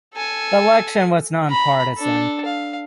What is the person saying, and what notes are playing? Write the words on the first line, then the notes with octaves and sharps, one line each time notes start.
The election was nonpartisan.
A4 G#5
A#5 B5
D4 A4
F5